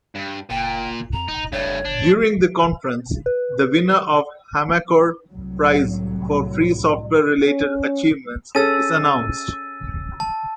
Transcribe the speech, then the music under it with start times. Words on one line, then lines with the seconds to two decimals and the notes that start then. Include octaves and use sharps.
During the conference, the winner of Hamakor Prize for free software-related achievements is announced.
0.15 G2
0.50 F#1 A#2 G5
1.13 F2 A#5
1.28 D1 D#4
1.52 F#1 G2 A3 C#5
1.85 G1 D4
3.26 B4
5.31 C2 A2 F#3
7.47 C#4
8.55 C#4 G#4 A4 E6 A6 D#7
10.20 A5